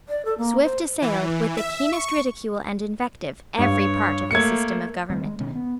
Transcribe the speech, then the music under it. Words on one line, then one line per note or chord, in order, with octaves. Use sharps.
Swift assailed, with the keenest ridicule and invective, every part of the system of government.
D5
A4
A#3
C5
E3
E5
C#6
G2 C#5 F5
A3 A#3 G#6 C#7
D#3 G3 A3 C4
G#3
B2 D#3 C#4
B3